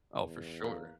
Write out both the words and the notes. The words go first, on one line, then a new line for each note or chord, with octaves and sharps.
Oh, for sure.
E2
A#3